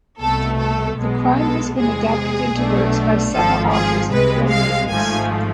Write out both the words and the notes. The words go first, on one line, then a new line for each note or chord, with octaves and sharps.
The crime has been adapted into works by several authors and filmmakers.
C2 B2 A3 A4
A4
B1 B2 G#3 B3
A4
E2 C3 G#3 G#4
B1 B2 A3 D4
G#1 G#2 F3 A4
G#4
C2 C3 G#3 B4
F5
G#1 G#2 F3 A3 G#5